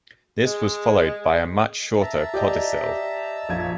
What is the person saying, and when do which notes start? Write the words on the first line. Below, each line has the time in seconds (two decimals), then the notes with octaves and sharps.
This was followed by a much shorter codicil.
0.46 G#3
2.01 E5 A5 A#5
2.34 G4 D5 D#5
3.49 A#1 F3 G#6